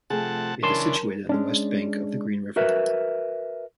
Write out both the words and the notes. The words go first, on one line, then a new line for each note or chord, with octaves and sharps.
It is situated on the west bank of the Green River.
C3 F3 A3 G#4 F#5 A5
F#2 C#3 E3 D4 A#4 A5 C6
G#3 C#4 D4
F#4 A#4 B4 E5